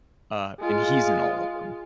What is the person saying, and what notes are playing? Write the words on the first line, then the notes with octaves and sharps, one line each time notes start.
uh, and he's in all of them.
G#3 F4